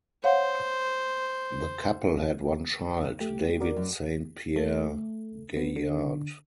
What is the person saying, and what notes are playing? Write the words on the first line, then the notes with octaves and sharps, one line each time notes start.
The couple had one child, David Saint Pierre Gaillard.
C5 C#5 F5 F#5
A3 G4
F#4 A#4 D5
F#2
A3
B3
D3